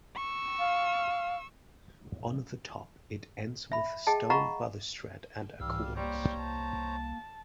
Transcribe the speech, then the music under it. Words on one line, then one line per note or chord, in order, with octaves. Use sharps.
On the top it ends with a stone balustrade and a cornice.
C#6 E6
F5
E5 B5
G#4 D#5 G5 A5
D#5 F5 F#5 A#5 B5 C#6
C2 G#2 E3 G3 F5 E6
G3 A#3 C5 C#5 A#5
A5